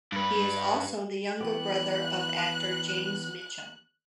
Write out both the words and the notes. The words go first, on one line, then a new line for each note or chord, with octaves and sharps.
He is also the younger brother of actor James Mitchum.
G2 B4
E3 B3 G4 F#6